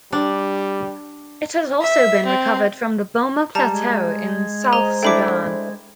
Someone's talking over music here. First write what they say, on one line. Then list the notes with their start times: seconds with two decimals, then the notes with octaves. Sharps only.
It has also been recovered from the Boma Plateau in South Sudan.
0.13 G3 D4
1.81 E5
2.26 C4
3.55 G3 A5 A#5
3.71 G#3
4.73 C5 D#5 A#5
5.03 A3 D4 E4 G5 B5 D6